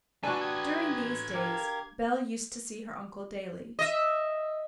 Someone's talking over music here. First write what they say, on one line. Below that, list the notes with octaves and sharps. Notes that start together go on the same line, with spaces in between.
During these days, Bell used to see her uncle daily.
D4 F#4 A4 B4 G#5 A5 D6 F#6
G4 D#6 G#6
G4 A#4 F5
D#5 E5